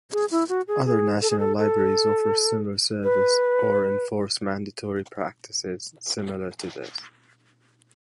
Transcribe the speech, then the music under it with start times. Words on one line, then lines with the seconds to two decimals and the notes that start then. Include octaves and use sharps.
Other national libraries offer similar services or enforce mandatory practices similar to this.
0.13 G#4
0.31 E4
0.49 F#4
0.68 G#4
0.86 G#4
1.22 A4
1.30 G#4
1.40 A4
1.58 A4
3.03 B4